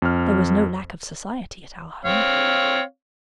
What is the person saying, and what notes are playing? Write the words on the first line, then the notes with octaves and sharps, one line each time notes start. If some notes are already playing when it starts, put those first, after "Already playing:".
There was no lack of society at our home.
F2 F6
C4 C#5 F5